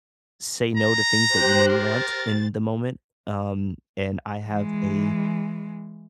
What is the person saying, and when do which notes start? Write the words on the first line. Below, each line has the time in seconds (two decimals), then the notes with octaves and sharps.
say no to things that you may want in the moment, um, and I have a,
0.77 A#5
1.27 G4 C5 F#6
1.69 A#4 A6
4.44 E3 G#3